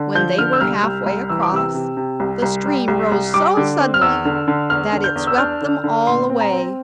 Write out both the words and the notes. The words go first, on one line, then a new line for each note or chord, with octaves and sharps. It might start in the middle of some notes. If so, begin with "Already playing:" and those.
When they were half-way across, the stream rose so suddenly that it swept them all away.
Already playing: D3
F3 G6
D3 F6
E6
C2 F6
C2
C2
E3 E6
D6
C3 E6
C3
C3
C2
C2
G3
C2
C2
G3 D6
D3
C4
F6
E2 E6
D3
D3
E2 F6
D3
G6
E2
E6
D4 F6
D3
D3
A#2 C6
C4
A#5
C4